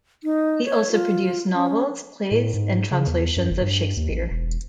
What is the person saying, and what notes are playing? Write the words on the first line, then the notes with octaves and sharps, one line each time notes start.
He also produced novels, plays, and translations of Shakespeare.
D#4
C#5
F4
C#4
A2
G#2
C#3
E2
F#2
G1
G2
D#2
A1
E1